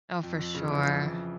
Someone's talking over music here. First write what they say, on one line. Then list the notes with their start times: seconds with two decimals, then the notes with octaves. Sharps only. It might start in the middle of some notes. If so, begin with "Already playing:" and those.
Oh, for sure.
0.23 F2
0.39 F2
0.55 C#3
0.70 E3
0.85 F2
1.01 F2